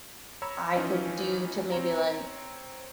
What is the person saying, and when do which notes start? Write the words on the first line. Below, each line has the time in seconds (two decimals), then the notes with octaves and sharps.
I could do to maybe, like,
0.42 C#5 A#5 B5 E6
0.76 E3 F3 C#4 D#4 F4
1.72 C4 C#5 A#5